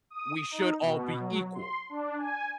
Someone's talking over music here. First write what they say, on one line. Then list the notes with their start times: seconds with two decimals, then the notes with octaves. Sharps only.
we should all be equal,
0.10 D#6
0.50 D#4
0.81 B2
1.19 F#3
1.54 C6
1.89 D4
2.18 G#5